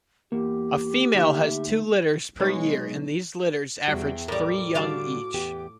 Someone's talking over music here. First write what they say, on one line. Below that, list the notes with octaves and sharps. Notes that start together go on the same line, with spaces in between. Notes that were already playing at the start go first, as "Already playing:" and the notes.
A female has two litters per year and these litters average three young each.
E2 A#3 G4
D2 D#4 E5
B1 G#3 D#4 B4 C#5 C#6
E2 G3 F#4 G5
A2 G3 A#4 D6
D3 G3 F4 F#4 F5 A5
E2 B3 G4